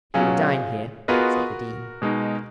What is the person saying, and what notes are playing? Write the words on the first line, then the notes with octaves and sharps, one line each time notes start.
"He will dine here," said the Dean.
B2 F#3 C#4 F4 G#4
B3 F4 F#4 G#4 A#4 B4 D#5
B2 G#3 D#4